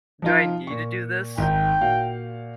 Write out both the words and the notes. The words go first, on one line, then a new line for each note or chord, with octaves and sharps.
do I need to do this?
F3 D#4 F4
A#2 C#6
G#1 D#4 G5 G6
A#2 F#4 F5